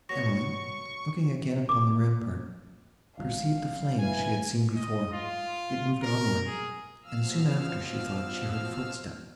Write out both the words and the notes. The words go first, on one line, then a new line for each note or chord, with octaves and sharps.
Emily, looking again upon the rampart, perceived the flame she had seen before; it moved onward; and, soon after, she thought she heard a footstep.
F#3 B3 C#6 A#6
D6
G#1 C#2 F#3 F5
E3 G#5
D#5
F4
A#4
G#4
B2 F3 F5 E6 F6